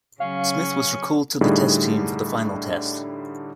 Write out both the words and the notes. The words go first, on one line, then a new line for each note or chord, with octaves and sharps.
Smith was recalled to the test team for the final test.
C#3 F#3 C#4 F5
A2 D3 G3 D#4 G#4